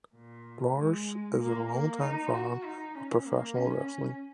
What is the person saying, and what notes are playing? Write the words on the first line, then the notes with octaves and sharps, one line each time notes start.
Lars is a longtime fan of professional wrestling.
A#2
G#3
A#3
A#3
D#4
F#4
D#4
C#4
A#3
C#4